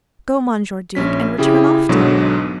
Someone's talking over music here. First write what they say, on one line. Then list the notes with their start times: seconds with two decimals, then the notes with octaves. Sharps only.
Go, Monsieur Duke, and return often.
0.95 A#1 C#4 B6
1.38 C#3 E4 G4 G#4
1.89 B1 G#2 B2 D3 F#3 B3